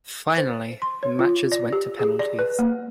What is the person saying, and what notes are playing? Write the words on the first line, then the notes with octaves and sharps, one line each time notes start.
Finally, the matches went to penalties.
C5
C6
C#5
F4
D5
G4
G#4
D5
B4
A#3